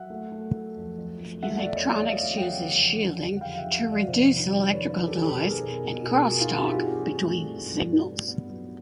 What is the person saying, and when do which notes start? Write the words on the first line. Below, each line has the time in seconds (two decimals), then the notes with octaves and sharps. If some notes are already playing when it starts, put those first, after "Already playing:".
Electronics uses shielding to reduce electrical noise and crosstalk between signals.
Already playing: F#3 E5 F#5
0.10 A3
0.32 A3
0.54 A3
0.76 F2
0.98 F2
1.20 A3
1.42 A3 E5 F#5
1.59 D5 E5
1.65 E2
1.76 C#5 D#5
1.86 F#3
1.92 D5 E5
2.09 A3 D#5 F5
2.31 F#3
2.37 G5
2.42 E5 F#5
2.53 C#3
2.75 F2
2.97 D3
3.19 F2
3.37 F#5
3.41 G3 F5 G5
3.58 E5 F#5
3.64 D3
3.86 F2
3.91 D5 E5
4.08 C3 C5 D5
4.30 D#3
4.52 G3
4.65 D5
4.74 D#3 B4 C#5
4.90 B4 C#5
4.96 D#3
5.07 G4 A4
5.18 D#3
5.23 A4 B4
5.40 B2 G#4 A#4
5.62 B2
5.85 B2
6.06 B2 G#4 A#4
6.23 F#4 G#4
6.29 B2
6.40 D#4 F4
6.51 C4
6.56 E4 F#4
6.66 G4
6.73 G2 F#4 G#4
6.95 E3
7.17 A3
7.39 G2
7.61 A3
7.83 G2
8.06 A2
8.28 B3
8.50 F#3